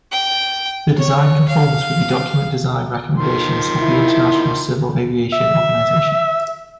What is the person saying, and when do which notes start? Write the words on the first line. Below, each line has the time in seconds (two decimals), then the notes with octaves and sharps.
The design conforms with the document design recommendations of the International Civil Aviation Organization.
0.12 G5
0.98 C#5
1.48 F5
3.18 D#3 F3 C6
3.81 E4
5.33 E5